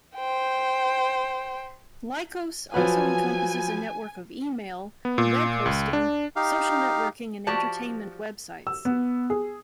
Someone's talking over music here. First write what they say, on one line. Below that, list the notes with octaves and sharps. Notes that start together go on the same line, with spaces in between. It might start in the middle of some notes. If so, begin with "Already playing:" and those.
Lycos also encompasses a network of email, webhosting, social networking, and entertainment websites.
C5 G5
F3 F#3 B4 G#5
B3
A#2
C#2
D4
D#4 G4 F5
F3 F#4 G4 D5 A5
E6
B3
G#4